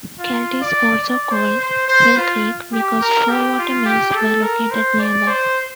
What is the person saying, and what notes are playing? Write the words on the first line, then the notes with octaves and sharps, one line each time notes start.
Celt is also called "Mill Creek" because four water mills were located nearby.
F4
D5
D5
C5
C5
C5
F4
G4
A#4
G4
F4
G4
A4
A#4
C5
D5
C5